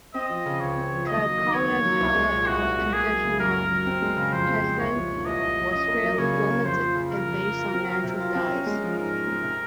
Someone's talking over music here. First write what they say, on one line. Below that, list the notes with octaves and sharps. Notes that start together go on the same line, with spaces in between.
The color palette of traditional pysanky was fairly limited, and based on natural dyes.
C4 D#5
F3
C#3
C#2 C#5
C4
F3
D#2 D#5
F#3
D#3
D#2 C#5
D#2
F#3
C2
G#3
A#2
C2 F#4
C2
G#3
A#3 G#4
F#3
C#3
F#2 A#4
A#3
F#3
C4
G#3
C#3
F2 C5
C4
G#3
C2 C#5
F3
A#2
C2 D#5
C2
F3
C#4 D#5
A#3
F#3
C#3 C#5
C#4
A#3
F2 C5
F3
C#3
F2 A#4
F2
F3
F4
C4
F#3
C3 A#4
F4
C4
C#4
G#3
F3
G#2 A#4
C#4
G#3
C3